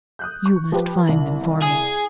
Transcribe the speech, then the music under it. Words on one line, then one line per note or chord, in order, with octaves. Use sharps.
You must find them for me!
D#6 F#6 G6
C#6
F3 G4 B4
C2 F#7
G#4